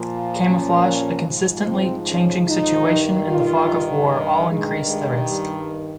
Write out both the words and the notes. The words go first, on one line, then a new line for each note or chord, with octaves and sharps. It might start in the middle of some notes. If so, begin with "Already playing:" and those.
Camouflage, a constantly changing situation and the fog of war all increase the risk.
Already playing: A#2 F3
C#4
G#2 F3
C4
C#4
D#4
G2 D#3
F4
G2 D#3 G#3
G#3
G3